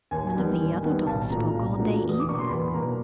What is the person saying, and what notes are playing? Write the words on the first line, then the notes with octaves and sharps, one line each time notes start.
None of the other dolls spoke all day, either.
D#2 G#5
D#3 G3 B3
D#2
D#3 G3 B3
B1 A5
A#2 F#3 A3 D4 A#5
B1
A#2 F#3 A3 D4
E2
D#6
D6
B2 F#3 A#3 D4 C#6
C6
E2 B5
B2 F#3 A#3 D4 A#5